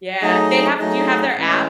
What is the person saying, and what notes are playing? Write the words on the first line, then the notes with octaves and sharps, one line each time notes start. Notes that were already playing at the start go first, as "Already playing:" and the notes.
yeah, they have do you have their app?
F#3 A3 D#4 G#4 D#5
F#3 A3 D#4 G#4 D#5
A2 E3 G#3 C#4 E4